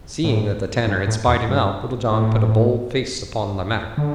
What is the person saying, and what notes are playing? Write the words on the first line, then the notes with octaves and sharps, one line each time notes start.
Seeing that the Tanner had spied him out, Little John put a bold face upon the matter.
A2
G2
A2
E2
G2
A2
D3